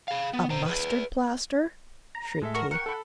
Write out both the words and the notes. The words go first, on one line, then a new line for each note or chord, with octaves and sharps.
"A mustard-plaster?" shrieked he.
G#4 F5
B3
B2 C5 A#5
G#4 A4 B4
A#5
A2 G#3 A4 E5
F#4 A#4
A#4 F#5 G5 C#6
A4 B5